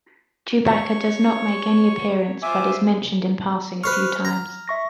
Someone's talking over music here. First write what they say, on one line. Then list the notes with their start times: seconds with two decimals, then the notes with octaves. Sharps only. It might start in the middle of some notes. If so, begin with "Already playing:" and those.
Chewbacca does not make any appearance, but is mentioned in passing a few times.
0.65 C#5 C#6
2.43 F4 C5 E5 G#5 D6
3.84 B4 C5 C#6 F6
4.25 A#5
4.68 E5 C#6 A#6